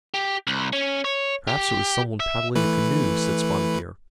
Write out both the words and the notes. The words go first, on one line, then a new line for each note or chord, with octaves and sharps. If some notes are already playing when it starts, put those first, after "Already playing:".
"Perhaps it was some one paddling a canoe," said Spotted Deer.
G4
C2
C#4
C#5
G4
E5
E3 A3 B4